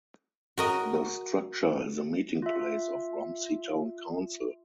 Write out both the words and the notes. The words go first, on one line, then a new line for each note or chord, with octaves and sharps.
The structure is the meeting place of Romsey Town Council.
F#4 A#4 D#5
F4 E5